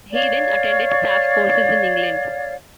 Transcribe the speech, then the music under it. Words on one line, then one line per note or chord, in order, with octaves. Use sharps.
He then attended staff courses in England.
C#5 D5 F5